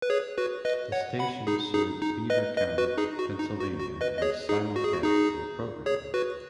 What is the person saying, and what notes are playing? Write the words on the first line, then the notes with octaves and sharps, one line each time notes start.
The stations serve Beaver County, Pennsylvania and simulcast their programming.
B4
G#4 C#5
F#4 B4
B4 D#5
C#5 F#5
F#5 B5
D#4 G#4
D#4 G#4
D#4
B4 D#5
B4 D#5
F#4 B4
D#4 G#4
F#4
D#4
F#4
F#4
B4 D#5
D#5
G#4 C#5
D#4 G#4
F#4
G#4
F#4
D#4 G#4
G#4 C#5
F#4 B4